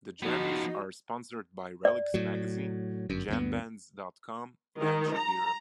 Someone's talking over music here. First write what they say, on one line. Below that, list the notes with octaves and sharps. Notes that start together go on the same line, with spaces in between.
The Jammys are sponsored by Relix magazine, Jambands dot com, and Shapiro.
F3 B3 D#4 F#4
D5
A2 F#3
G1 F#2
D2 G2 B3
D#3
A#5